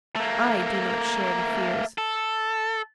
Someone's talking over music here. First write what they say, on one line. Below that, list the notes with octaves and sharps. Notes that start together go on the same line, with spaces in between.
I do not share the fears.
A3 A#3
A4